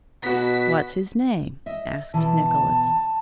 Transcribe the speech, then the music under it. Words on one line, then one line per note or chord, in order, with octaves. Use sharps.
"What's his name?" asked Nicolas.
B2 B3 F#4 B6
D#5 E5
B2 E3 A5